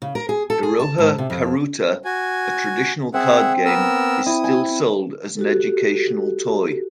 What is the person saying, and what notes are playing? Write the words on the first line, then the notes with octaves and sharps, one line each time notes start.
"Iroha karuta", a traditional card game, is still sold as an educational toy.
C#3
A#4
G#4
A4
G#4
A5
G#2
C3
F2
F#4 G#5
C4 G#4 E5 F#5
B3 A#4 E6
E4 D#6
G#5
F#4 G4 A4